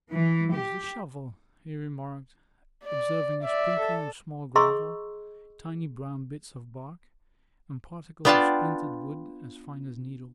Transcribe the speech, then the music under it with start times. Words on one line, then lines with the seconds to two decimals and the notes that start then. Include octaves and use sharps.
"You used a shovel," he remarked, observing a sprinkling of small gravel, tiny brown bits of bark, and particles of splintered wood as fine as needles.
0.11 E3
0.52 G4
2.84 D5
3.43 D5 E5
3.80 A4
4.55 G#4 D#5 A#5 C6 C#6 E6
8.25 B3 D4 F4 D5 G5 A5